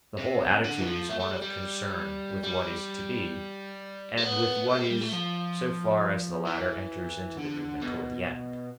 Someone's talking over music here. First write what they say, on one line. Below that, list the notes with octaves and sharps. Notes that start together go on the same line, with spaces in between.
The whole attitude is one of concern with what is to be, and with what is so far as the latter enters into the movement toward the end.
C3
D3
E3
F3
A3
A3
G3
G3
G3
A3
B3
A3
G3
G3
A3
F3
E3
D3
B2